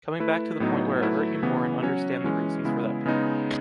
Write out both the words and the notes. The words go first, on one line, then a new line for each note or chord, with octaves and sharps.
Coming back to the point where it hurt you more and understand the reasons for that pain.
A3 E4 B4
A2 F#3 B3 D#4
F#3 A3 E4 B4
C#3 E3 B3
F#3 C#4 F#4 C#5
E3 G#3 C#4
C#3 G#3 B3 E4
C#3 G#3 B3 D#4